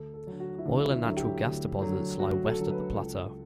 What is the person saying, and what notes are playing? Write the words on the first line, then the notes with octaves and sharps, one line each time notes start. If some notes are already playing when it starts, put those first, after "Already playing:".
Oil and natural-gas deposits lie west of the plateau.
Already playing: D2 A4
A4
D3 F#3
F#4
E4
D2 D4
E4
D3 F#3
G4
D2
D3 F#3
D2 F#4
A4
D3 F#3
B4
C#2 A4